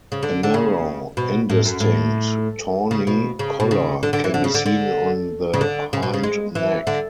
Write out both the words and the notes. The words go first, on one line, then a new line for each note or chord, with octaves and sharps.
A narrow, indistinct tawny collar can be seen on the hindneck.
C#3
D3
D3
C#3
B2
A2
F#2
A2
C#3
B2
C#3
B2
C#3
D3
D3
E3
D3
C#3
D3
D3
C#3
D3
C#3
B2
C#3
G#3
E3
D3